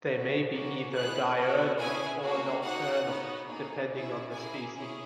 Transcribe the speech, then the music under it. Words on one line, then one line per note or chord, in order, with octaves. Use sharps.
They may be either diurnal or nocturnal, depending on the species.
B3 F#4
A#3 C#4 F#4
B3 E4 G#4 F#6
B3 F#4
C#4 E4 G#4 G#5
A#3 C#4 F#4
A#3 D#4 F#4 F#5
B3 D#4 F#4
A#3 D#4 G#4
C#4 E4 G#4
A#3 E4 G#4 G#5
C#4 E4 G#4